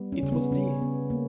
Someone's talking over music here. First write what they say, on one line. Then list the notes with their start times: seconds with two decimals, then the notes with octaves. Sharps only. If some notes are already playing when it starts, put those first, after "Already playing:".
It was Dea.
Already playing: G3 B3
0.12 C#4
0.23 C#3
0.32 B3
0.51 C#3 C#4
0.82 B3
1.10 A#3